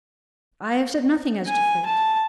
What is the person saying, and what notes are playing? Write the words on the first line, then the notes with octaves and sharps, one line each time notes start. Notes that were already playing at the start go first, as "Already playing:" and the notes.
I have said nothing as to fault.
G#5
A5